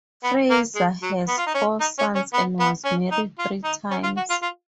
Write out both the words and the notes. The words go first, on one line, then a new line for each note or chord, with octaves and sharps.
Frazier has four sons and was married three times.
B3
A#3
G#3
F#3
B3
F4
D#4
C#4
D#4
C#4
C#4
B3
B3
C#4
D#4
F4
D#4
C#4
F4
F#4
F4
F4